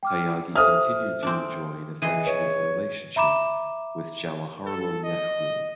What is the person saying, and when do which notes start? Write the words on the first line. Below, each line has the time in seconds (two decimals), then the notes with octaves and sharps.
Tyagi continued to enjoy an affectionate relationship with Jawaharlal Nehru.
0.03 G5 D6 F6
0.56 A4 C5 E5 D#6 F6
1.23 C4 D4
2.02 E3 G#4 D#5 D#7
2.27 B4 C#5
3.16 E5 A#5 B5 D6 E7
4.66 A4
5.04 D#5